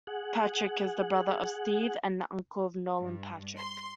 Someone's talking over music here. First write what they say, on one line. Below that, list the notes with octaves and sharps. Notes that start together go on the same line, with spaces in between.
Patrick is the brother of Steve and the uncle of Nolan Patrick.
G#4 F#5
G2
C6